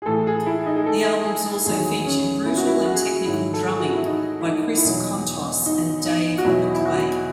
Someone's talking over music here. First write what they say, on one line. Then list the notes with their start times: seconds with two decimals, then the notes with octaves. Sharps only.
The albums also featured brutal and technical drumming by Chris Kontos and Dave McClain.
0.02 G#4
0.06 A2 E3 A4
0.27 G#4
0.46 E4
0.66 D#4
0.76 G#4
0.86 A4
1.26 G#4
1.66 E2 D#3 F#3 G#4
2.05 C#4
2.45 E4
2.57 F#4
2.67 E4
2.85 F#4
2.94 G#4
3.02 F#4
3.25 G#2 D#3 F#3 E4
3.53 A4
3.67 G#4
3.79 F#4
3.92 E4
4.06 D#4
4.41 E4
4.46 D#4
4.77 E4
4.85 E2 B2 F#3 D#4
5.66 D#4
6.06 D#4
6.38 F#4
6.44 E2 B2 F#3 E4
6.75 E4
6.85 F#4